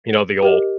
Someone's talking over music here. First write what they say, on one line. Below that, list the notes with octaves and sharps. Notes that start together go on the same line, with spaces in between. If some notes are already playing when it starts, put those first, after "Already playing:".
you know, the ol'
G4 A#4 D#5